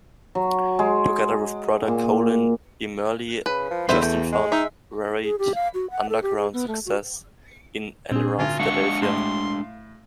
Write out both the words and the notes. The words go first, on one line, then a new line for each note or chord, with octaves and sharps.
Together with brother Colin Emerle, Justin found varied underground success in and around Philadelphia.
F#3
G#3
A#2
C#3 B4
F3
E2 D3 B4 C5 E5
A3 G5
G#3
D#4 E5
G#4
G4
F5
F#4
F#5
A4
G4
G#4
B3
A3
F#4
A#2 C4 D4 G#4
G#1 D3 F4 G#5
G#3 D4 F5 F#5 C#6
A2 C6